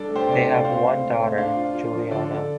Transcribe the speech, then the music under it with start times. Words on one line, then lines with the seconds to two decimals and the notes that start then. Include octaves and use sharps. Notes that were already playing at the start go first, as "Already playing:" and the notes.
They have one daughter, Juliana.
Already playing: G3 D4 A4 D5
0.09 A3
0.15 G4 C5
0.27 C3 D5
0.40 G4 C5
0.46 F4
0.64 C4 C5 F5
0.83 A2
1.01 A2
1.20 A2
1.38 D4 C5 F5
1.56 F4
1.75 F4
1.93 F3
2.11 D3 A4 D5
2.30 D3